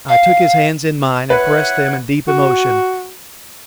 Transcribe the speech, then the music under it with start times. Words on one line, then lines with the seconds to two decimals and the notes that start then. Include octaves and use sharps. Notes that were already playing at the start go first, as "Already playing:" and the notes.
I took his hands in mine and pressed them in deep emotion.
0.09 F5
1.30 E4 B4 C#5 F#5
2.28 F#4